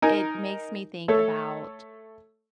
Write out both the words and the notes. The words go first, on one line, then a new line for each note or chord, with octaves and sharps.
it makes me think about
D#4 A#4 G#5
A3 A4 C#5